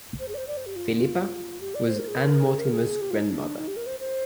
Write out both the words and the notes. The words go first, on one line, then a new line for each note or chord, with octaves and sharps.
Philippa was Anne Mortimer's grandmother.
C5
G#4
D5
C5
D5
C5
G4
F4
G4
D5
C5
A#4
G#4
A#4
G#4
A#4
G#4
G4
F4
D#4
D4
D#4
G4
A#4
C5
C5